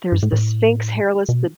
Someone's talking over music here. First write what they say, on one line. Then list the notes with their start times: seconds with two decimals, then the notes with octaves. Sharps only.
there's the Sphinx hairless, the
0.12 G2
0.23 A2
0.33 A2
1.29 B2